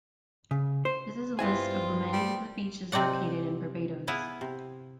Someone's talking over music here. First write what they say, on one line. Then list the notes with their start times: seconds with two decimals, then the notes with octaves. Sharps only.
This is a list of many of the beaches located in Barbados.
0.51 C#3
0.85 C5
1.39 G2 B3 C4 E4 F4 C5 G#5
2.13 G3
2.92 C3 C4 D#4 D5 F#5
4.07 B3 E4 G#4 F5
4.41 C3